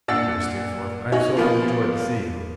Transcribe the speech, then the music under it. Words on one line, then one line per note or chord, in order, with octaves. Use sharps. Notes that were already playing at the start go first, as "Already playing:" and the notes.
My dear Steerforth, I am so overjoyed to see you!'
A#2 D4 F#5 E6 A6
D#4 F#4 C#5 G#5
F3 A#3 B3 F4